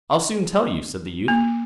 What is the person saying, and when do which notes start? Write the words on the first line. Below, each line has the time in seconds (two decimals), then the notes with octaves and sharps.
I'll soon tell you', said the youth.
1.28 A#3